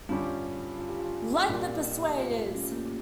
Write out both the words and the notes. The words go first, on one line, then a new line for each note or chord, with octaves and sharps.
Like The Persuaders!
G2 D3 G3 C#4 F4 G4
F4
G4
F4
G4
A#2 G3 D4 F4
G4
G4
F4
A3
C#4
A#3